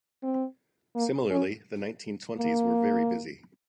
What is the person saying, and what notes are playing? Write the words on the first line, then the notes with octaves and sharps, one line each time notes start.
Similarly, the nineteen twenties were very busy.
C4
A#3
C#4
A#3